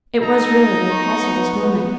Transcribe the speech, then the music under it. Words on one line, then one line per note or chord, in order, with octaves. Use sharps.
It was really a hazardous moment.
D#4 A4 A#5
B3 C#6